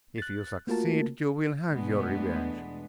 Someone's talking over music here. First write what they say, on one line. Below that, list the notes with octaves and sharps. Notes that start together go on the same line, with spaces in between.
If you succeed, you will have your revenge.
F#6 A6
A3 A#3 F4 F#4 A#4 A5
E2 B2 G#3 A3 B3 D4